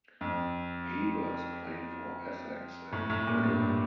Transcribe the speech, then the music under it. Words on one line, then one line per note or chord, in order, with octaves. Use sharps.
Havers played for Essex and England.
F2
A2
A2
A#2
G2